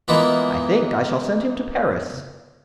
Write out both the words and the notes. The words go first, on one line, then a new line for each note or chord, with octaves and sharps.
"I think I shall send him to Paris."
E3 G#3 A#3 B3 F4